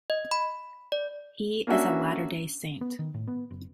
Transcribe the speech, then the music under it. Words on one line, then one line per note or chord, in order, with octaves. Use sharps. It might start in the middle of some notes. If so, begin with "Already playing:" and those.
He is a Latter-day Saint.
D#5
B5
D5
A#3 C#4 D4 F#4 E5
B3
D#3
A2
B3
F#1